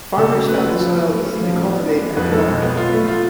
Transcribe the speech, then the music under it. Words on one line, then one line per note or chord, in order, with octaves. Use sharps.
Farmers found the soil easy to cultivate and productive.
C#3 A4
F#3
A3 B4
F4
F3 A4
B3
A3
C#4
F3
A1
B3
D4
G#3
F2 B4
G#3 A4
B1
B3
F4
A3
F4